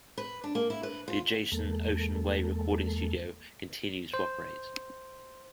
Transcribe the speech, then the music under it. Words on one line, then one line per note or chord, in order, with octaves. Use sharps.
The adjacent Ocean Way Recording studio continues to operate.
B4
D4
A#3
E4
B4
F4
E2 G#3 A#3 A4
C5